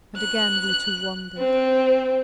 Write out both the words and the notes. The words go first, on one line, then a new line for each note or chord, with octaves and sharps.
And again we two wandered.
F#6
C4